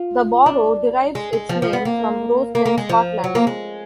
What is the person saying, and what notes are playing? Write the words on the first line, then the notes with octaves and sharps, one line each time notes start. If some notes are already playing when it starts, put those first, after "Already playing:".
The borough derives its name from Roslin, Scotland.
Already playing: F4
D4
G#3
G#3
F3
F3
B3
A#3
A#3
A#3
G#3
F3
F#3
A#3
G#3